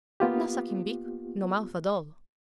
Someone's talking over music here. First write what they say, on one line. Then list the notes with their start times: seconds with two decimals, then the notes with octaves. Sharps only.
No sucking-beak, no mouth at all.
0.20 A#3 B3 F4 G4